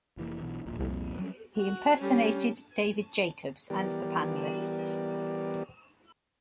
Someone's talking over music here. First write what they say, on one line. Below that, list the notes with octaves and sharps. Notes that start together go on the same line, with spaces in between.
He impersonated David Jacobs and the panellists.
F1 E3 A#3
B1 B2 E3
D1 A#1 A#2
C2 F2 A#2
F#3 G3 C#4
F#4
G3 C#4
E3 G3 B3 G4 A#4 D5